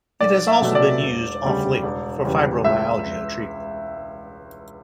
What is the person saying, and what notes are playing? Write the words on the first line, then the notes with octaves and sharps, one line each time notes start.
It has also been used off-label for fibromyalgia treatment.
B1 D5
E5
B2 F#3 A3
D5
E1
D2 C#3 G3
E1
E2 C#3 G3
C#2 E5